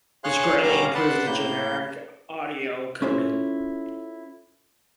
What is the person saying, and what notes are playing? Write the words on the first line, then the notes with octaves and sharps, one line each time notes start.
This greatly improves the generic audio coding.
G#4 C#5 F5 C6 F6 F#6
B2 G3 C#4 F5 A#5 D6
B4 D5 F#5 A5 C6
A2 A#3 G6
C#4 E4 F4 A4 C5